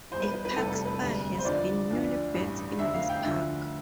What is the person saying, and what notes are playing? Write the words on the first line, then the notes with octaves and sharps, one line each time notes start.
A park-spa has been newly built in this park.
E2 B2 G3 C5
B4
B4
B4
F1 E2 C3 E3 G3 A4
A4
B4
E1 D2 C3 G3
C5
E2 D3 F3 D5
D2 D3 F3
A1 G2 E3 G3
F1 E2 D3 E5
F5
G5
D2 D3 F3 E5